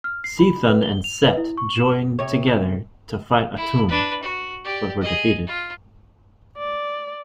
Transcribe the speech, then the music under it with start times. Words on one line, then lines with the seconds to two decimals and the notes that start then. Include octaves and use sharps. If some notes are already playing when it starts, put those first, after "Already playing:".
Chthon and Set joined together to fight Atum, but were defeated.
0.04 F6
0.24 C7
0.39 B5
0.69 B4
0.83 G7
1.04 F7
1.24 B4
1.37 E4
1.57 C#6
1.75 E7
2.19 C3 C#5
3.57 E4
3.88 D4 B4
4.23 F#4
4.64 G4 D5
5.02 G#4 D#5
5.47 F4
6.58 D5